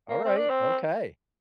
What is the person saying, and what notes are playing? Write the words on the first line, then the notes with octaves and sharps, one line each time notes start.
Alright, okay.
A#3
C4
D4
C4